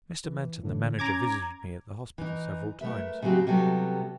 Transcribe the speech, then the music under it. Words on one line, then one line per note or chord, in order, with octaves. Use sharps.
Mr. Manton, the manager, visited me at the hospital several times.
E3
A2 D3 E3
C#4 A#5 D6 G#6
E3 D#4
A3 A#4 B4 E5
D#2 C#3 F#3 C4 F#4 G4
C3 F#3 G3 B3 A4